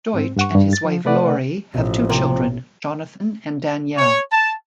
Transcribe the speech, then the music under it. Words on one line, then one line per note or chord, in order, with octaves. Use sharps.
Deutsch and his wife Lori have two children, Jonathan and Danielle.
G#2 C4
G2 F#5 C#6
G2
A6
F3
C3 A3 B4 D5 F#5
A1 B2 F3
C3 A#3
C#5
A5